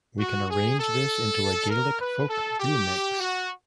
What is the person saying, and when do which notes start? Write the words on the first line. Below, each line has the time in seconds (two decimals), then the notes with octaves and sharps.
We can arrange this into a Gaelic folk remix.
0.19 F#4
0.50 G#4
0.79 A4
1.69 A#4
2.00 B4
2.29 A4
2.60 G4
3.20 F#4